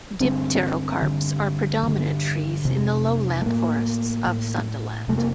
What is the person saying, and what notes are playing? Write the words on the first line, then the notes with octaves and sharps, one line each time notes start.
Dipterocarps are predominant trees in the lowland forests of Sundaland.
G2 D3 C4
G2 D3
G2 D3
F2 C3
A3
A2 A#3
A2
F2 C3 A3
A#3